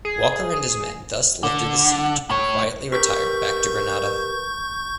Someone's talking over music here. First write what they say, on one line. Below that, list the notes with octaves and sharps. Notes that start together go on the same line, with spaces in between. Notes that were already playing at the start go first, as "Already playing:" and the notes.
Walker and his men thus lifted the siege and quietly retired back to Granada.
G#4
D3
A2 C#5
G4 A#4 B4 C#6 G6